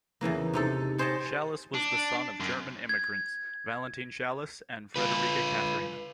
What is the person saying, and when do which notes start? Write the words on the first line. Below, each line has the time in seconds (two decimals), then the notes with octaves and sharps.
Shallus was the son of German immigrants, Valentine Schallus and Frederica Catherina.
0.21 E2 C#3 E3 A#3
0.53 C3 D#4 A4
0.98 G#4 C5 C#5 D#5 G5 A5
1.74 D4
2.40 F#2
2.89 G#6
4.96 F4 B4